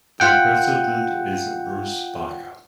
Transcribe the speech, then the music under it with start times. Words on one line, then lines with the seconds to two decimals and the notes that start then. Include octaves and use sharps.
The president is Bruce Barker.
0.20 F4 F#5 G5